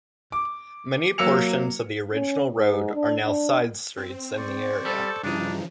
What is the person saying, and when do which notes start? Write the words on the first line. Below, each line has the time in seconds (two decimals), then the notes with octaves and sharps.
Many portions of the original road are now side streets in the area.
0.32 D6
1.18 F#3 A#3 E6 C#7 F7
2.14 C#4
2.56 G#2
2.95 D4
3.25 D4
3.97 C4
4.37 C5 D5 C#6
4.85 G3 A4
5.23 G2 C#3 E3 F3 D4 D#4